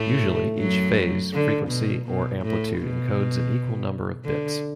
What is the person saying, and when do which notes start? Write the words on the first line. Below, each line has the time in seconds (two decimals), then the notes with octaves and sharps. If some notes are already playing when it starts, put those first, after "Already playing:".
Usually, each phase, frequency or amplitude encodes an equal number of bits.
Already playing: A2 A3
0.59 F#2 F#3
1.33 D3
1.69 B2
2.06 B2
2.42 A2
2.79 B2
4.25 D3